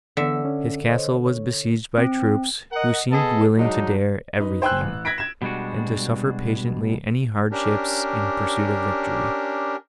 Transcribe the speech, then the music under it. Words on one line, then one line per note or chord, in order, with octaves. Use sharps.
His castle was besieged by troops, who seemed willing to dare every thing, and to suffer patiently any hardships in pursuit of victory.
D3 E3 B3 E5
C#4
C5 C#5 D#5
C#5
C4
A#4 D#5 F#5
B3 G#4 A4 D#5 A5
F#3 G#3 D4 D#4
D#4 B4
C5 G5 G#5 E6 F#6
A1
F#6 G#6 A#6 B6 D7
G#6 E7
B2 G3 G#3 D4 F#4
C#4 D4 G4 A#4